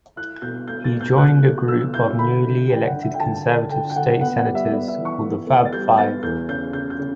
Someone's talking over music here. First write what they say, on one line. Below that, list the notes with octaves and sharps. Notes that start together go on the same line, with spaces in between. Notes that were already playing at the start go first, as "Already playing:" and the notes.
He joined a group of newly elected conservative State Senators called the "Fab Five".
E4 F#6
B2 G6
A3 G6
A6
B2
G6
B2 F#6
A3
B2 E6
E4 G6
D3 B5
D3
D3 G5
F#5
D4
E5
G5
D3 A5
D3
D3 G5
G5
D3 F#5
B3 F#5
F#5
G3
E5
B3 D5
E5
E3
C#6
E3
B3
A6
G3 G6
B3 A6
E2 G6
C#3 G6
C#3 G6
G6
C#3